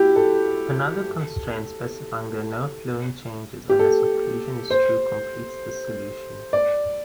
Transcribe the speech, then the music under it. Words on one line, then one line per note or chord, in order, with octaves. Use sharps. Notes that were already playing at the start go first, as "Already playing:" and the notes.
Another constraint specifying that no fluent changes unless occlusion is true completes this solution.
Already playing: E4 F#4 G4
A4
G4
A4
C5
D5